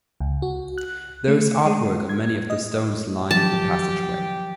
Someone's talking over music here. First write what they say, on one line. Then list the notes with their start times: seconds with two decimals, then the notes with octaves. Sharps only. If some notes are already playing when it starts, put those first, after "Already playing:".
There is artwork on many of the stones lining the passageway.
0.20 C#2
0.42 F#4
0.78 F#6
1.28 A3
1.66 G#3
2.09 G#6
2.50 D#5
3.31 D#3 F3 F#3 G4 A5